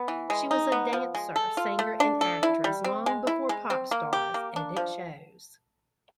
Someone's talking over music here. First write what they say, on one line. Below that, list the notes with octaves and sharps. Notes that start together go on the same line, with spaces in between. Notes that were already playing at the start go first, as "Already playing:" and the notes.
She was a dancer, singer and actress long before Popstars, and it shows.
Already playing: B3
E3
G#3
D#4
B3
F3
G#3
A4
F4
A3
D4
A4
E4
G3
C4
G#3
E4
G#3
C4
A#3
G4
A#3
D4
F3